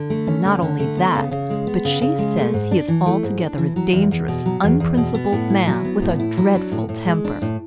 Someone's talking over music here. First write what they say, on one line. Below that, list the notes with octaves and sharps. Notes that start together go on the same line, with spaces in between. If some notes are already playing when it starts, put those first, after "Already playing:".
And not only that, but she says he is altogether a dangerous, unprincipled man with a dreadful temper.
Already playing: D3
A3
C#4
D3
D3
A3
B3
C#3
C#3
G#3
B3
C#3
C#3
G#3
A3
G#2
D4
E3
A3
G#2
D4
E3
F#3
E2
E2
B2
F#3
E2
E2
B2
B3
A2
E4
F#3
B3
A2
E4
F#3
D4
A2
A2
G#3
D4
A2